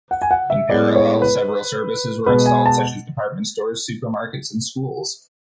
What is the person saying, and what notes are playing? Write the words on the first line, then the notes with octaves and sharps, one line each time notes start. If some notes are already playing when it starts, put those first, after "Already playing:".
In parallel, several services were installed such as department stores, supermarkets, and schools.
F#5
G#5
F#5
E5
A2 G#3 B3 D5
C#5
B4
B2 G#3 B3 B4
G#5
A5